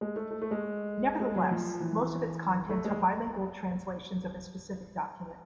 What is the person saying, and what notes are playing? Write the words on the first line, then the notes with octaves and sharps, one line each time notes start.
Nevertheless, most of its contents are bilingual translations of a specific document.
G#3
A3
A3
A3
G#3
G#3
F#3
F3
E3
A3
G#3